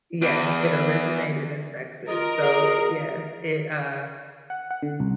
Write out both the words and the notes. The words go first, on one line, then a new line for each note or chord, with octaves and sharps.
Yes, it originated in Texas, so y yes, it, uh
E2
F4 A#4 D#5
G#4
F#5
F#5
D3
C2